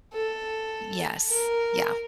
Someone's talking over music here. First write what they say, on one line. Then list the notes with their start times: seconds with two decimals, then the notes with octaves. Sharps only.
Yes. Yeah.
0.14 A4
1.31 A#4